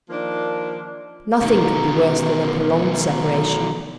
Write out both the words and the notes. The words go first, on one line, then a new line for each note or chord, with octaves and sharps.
Nothing could be worse than a prolonged separation.
D#3 F3 A#3 D4
B2 D#3